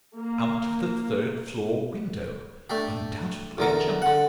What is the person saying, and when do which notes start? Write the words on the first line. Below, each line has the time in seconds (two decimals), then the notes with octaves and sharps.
Out of the third-floor window undoubtedly jumped.
0.17 A#3
2.70 A3 D4 G4
3.58 E2 D3 A#4
4.02 D3 F#5